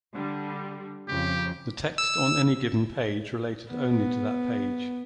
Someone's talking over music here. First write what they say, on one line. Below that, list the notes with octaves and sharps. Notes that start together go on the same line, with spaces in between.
The text on any given page related only to that page.
D3 G3
F2 C#3 G4
E6
B3